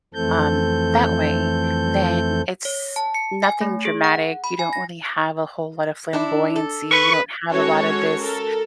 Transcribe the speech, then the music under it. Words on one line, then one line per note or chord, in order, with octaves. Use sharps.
um, that way, then it's nothing dramatic. You don't really have a whole lot of flamboyancy. You don't have a lot of this
F2 E3 A3 C4 A4 G6
C#5
A5
C#7
G#5
A3
G#4
F#5
B5
G#5
A#6
D4 E4
A4
B4 C#6
G#3 C#4 F#4 A4 C#5
A4 A#4